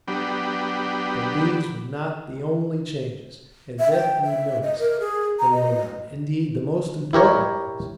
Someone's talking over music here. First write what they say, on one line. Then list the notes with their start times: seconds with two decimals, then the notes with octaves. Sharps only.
But these were not the only changes, as Ethne noticed; they were not, indeed, the most important ones.
0.08 F#3 B3 D4 G4
3.79 E5
3.92 G5
4.23 E5
4.62 D#5
4.79 A#4
5.00 G#4
5.39 A#5
5.52 D#5
7.13 E4 G4 A#4 C#5